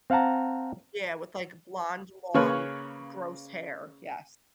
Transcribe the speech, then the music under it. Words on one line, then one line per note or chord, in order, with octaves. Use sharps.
Yeah, with, like, blonde, long, gross hair, yes.
C4 F5 F#5 A5 A#5
C#3 A#3 B4 C#5 F6